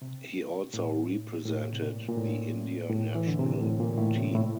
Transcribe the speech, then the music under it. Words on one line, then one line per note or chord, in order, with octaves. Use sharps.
He also represented the India national team.
C3
A2
A2
C3
A#2
A#2
A2
A2
E3
D3
C3
A#2
A2
A#2
A2
C3
A2